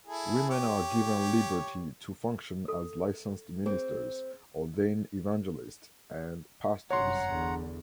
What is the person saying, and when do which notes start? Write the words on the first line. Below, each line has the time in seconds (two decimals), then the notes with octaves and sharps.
Women are given liberty to function as Licensed Ministers, Ordained Evangelist, and Pastors.
0.07 E4 G#4 A4
0.50 G4 C#5
2.68 A4
3.66 C4 G#4
6.91 G1 F#2 C3 C#5 F#5 A#5 C6
7.28 E2 D3